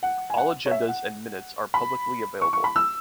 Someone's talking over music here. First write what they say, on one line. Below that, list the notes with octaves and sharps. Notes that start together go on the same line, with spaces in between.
All agendas and minutes are publicly available.
F#5
G#5
F#5
C#5
E5
F#5
B5
C#6
C#6
B5
E6